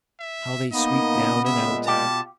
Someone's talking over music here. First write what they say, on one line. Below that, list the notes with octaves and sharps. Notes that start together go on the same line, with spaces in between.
How they sweep down and out!
E5
A#3 B3 D#4 D#5
C#3
A#2 G#3 E5
B2 F4 G4 A5